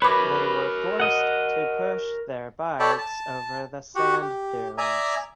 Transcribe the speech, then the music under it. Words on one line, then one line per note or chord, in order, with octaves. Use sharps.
They were forced to push their bikes over the sand dunes.
A#4 B4 C#5 B5 D6
D#5 F#5
A4 C#5 D5 G5 A5 B5
A5
F#4 G4 F#5
G4
D5 E5 G#5 A#5 D#6